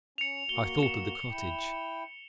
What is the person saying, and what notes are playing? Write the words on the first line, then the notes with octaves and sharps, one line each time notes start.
I thought of the cottage.
C#4 C#7 F7
A#3 F#4 G7
C#7 E7
E4 G5